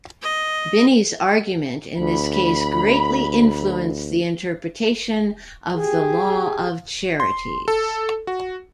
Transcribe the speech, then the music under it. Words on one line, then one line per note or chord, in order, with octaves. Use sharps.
Binney's argument in this case greatly influenced the interpretation of the law of charities.
D#5
D2 B5
G4 G#4
C6
A4
F#4